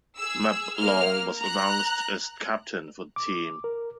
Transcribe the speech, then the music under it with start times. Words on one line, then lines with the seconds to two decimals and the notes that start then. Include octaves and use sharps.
Meb Long was announced as captain for the team.
0.18 G#4 E6
0.78 A#3 F6
1.40 A#5 F#6
3.16 D6
3.64 A#4